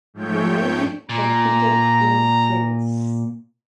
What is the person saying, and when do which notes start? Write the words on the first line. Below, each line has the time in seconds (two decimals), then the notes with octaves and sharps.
Burundi competed in tennis.
0.14 G#2 F3 A3 C#5 G5 G6
1.09 A#2 A#5